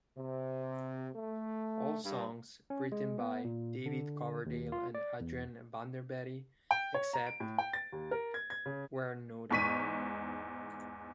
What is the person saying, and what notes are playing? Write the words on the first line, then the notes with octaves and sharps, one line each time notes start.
All songs written by David Coverdale and Adrian Vandenberg except where noted.
C3
A3
G2
C#4
G#3
B3
A#2
D3
D#2
F4
D5
E2
G5
C#5
A#5
D7
A2
G5
A6
D#2
A#4
G#6
G#6
C#3
E2 G#2 C#6 B6 D#7